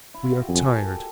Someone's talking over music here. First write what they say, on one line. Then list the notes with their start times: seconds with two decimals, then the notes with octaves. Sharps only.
We are tired.
0.14 E4
0.23 F4
0.32 F#4
0.40 G4
0.48 F2 G#4
0.57 A#4
0.76 A4
0.85 G4